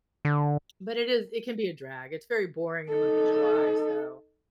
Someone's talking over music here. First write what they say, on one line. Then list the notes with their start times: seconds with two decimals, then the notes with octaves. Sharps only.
but it is it can be a drag, it's very boring in the month of July, so
0.25 D3
2.90 D#4 A4